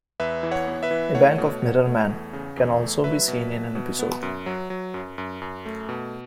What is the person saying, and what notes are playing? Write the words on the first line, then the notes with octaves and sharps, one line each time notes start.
A bank of Mirrorman can also be seen in an episode.
E2 B4 E5
E3
C#5 F#5
B3
B4 E5
E3
A3 C#5 F#5
B2
B2
A3
E2
C#3
E2
A3
F#3 B4 E5
B2
B2
B2
B3
F#2
F#3
F#3
F#2
F#2
F#2
A3
B2